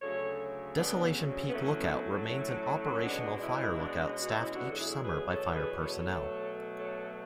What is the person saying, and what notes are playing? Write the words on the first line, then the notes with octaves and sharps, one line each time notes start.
Desolation Peak Lookout remains an operational fire lookout staffed each summer by fire personnel.
D2 C#3 F#3 A3 A4 C#5
B3 D4
C#4
B3
A2 F#3 A3 C#4
B3
C#4
C#4
B2 G#3 B3 D4
D4
C#4 E4
E4
B3 D4
C#4
F#4
C#4 E4
E2 B2 F#3 A3 D4 F#4
A4
E4 G#4
G#4 B4
A4 C#5
G#4 B4
A4 C#5
B2 F#3 A3
A4 C#5